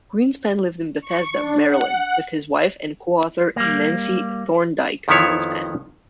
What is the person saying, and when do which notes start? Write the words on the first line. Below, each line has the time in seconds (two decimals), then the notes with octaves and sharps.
Greenspan lived in Bethesda, Maryland, with his wife and co-author Nancy Thorndike Greenspan.
1.01 C#6
1.34 D4
1.67 F#5
3.56 G3 A#3
5.08 F2 D#3 F3 B3 E4 C#5